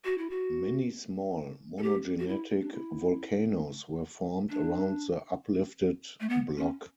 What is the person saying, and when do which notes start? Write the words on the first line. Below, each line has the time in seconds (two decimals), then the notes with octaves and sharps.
Many small monogenetic volcanoes were formed around the uplifted block.
0.05 F#4
0.18 E4
0.30 F#4
1.78 A4
1.83 G4
2.19 F#4
2.28 E4
2.62 D4
2.72 E4
4.50 D4
6.20 A3
6.29 B3
6.58 C#4